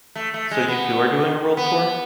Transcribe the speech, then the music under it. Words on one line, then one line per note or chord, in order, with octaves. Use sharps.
So you too are doing a world tour?
A3
A3
G#3
B3
B3